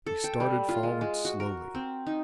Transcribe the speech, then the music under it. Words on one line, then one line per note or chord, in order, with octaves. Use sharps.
He started forward slowly.
A4
G5
G3
F4
G#3
G#3
F#4
A#4
C4
D#4